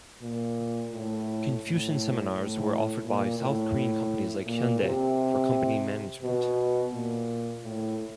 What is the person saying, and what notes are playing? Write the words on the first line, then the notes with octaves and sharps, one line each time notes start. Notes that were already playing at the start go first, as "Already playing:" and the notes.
Confucian seminars were offered by South Korean companies like Hyundai for company management.
A#2
A2
A2
A2
A#2
A2
A#2
C3
B2
A#2
A2